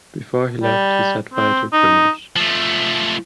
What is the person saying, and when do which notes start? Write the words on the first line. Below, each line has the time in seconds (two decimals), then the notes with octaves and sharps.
Before he left he set fire to "Greenwich".
0.62 G3
1.34 C4
1.73 D#4
2.36 F3 A3